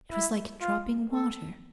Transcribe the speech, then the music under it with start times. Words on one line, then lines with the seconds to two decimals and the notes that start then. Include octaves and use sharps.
It was like dropping water.
0.11 E4
0.61 F4
1.13 A4